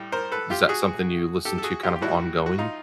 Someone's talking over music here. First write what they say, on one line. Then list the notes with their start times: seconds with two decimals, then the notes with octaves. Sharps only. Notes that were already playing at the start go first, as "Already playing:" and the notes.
is that something you listen to kind of ongoing?
Already playing: A2 G3
0.12 A#4 C5
0.32 A4 B4
0.50 F4 G4
0.69 F#4 G#4
1.45 G4 A4
1.58 A4
1.63 F#4 G#4
1.83 F4 G4
1.96 G4
2.01 A2 E3 G3 E4 F#4
2.46 F#4
2.58 D#4 F4